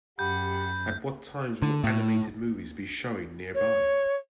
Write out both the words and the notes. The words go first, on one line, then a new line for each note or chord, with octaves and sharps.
At what times will animated movies be showing nearby?
F#2 G4 F#5 B5 G6
D3
A2
C#5